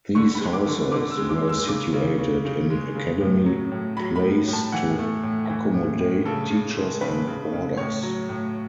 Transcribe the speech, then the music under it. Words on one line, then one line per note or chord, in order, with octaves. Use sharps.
These houses were situated in Academy Place to accommodate teachers and boarders.
D3 C#6
B5
G#3
D6
D3
D3 D6
E6
G#3
D6
G#3
E6
C#3 D6
C#3
C#3
C#3
G#3
C#3
A2
F#3
A2
F#3 B5
B5
A2
A2
A5
E3 F#5
A3
A2
E3
A2
A2
C#3 A4
C#3
G#3
C#3 B4
C#3
C#3
A2 C#5
F#3
A2